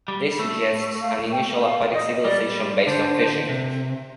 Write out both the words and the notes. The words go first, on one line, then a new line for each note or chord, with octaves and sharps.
This suggests an initial aquatic civilisation based on fishing.
G3
A3
F5
G5
F5
D#5
G3 D5
D3 C5
C3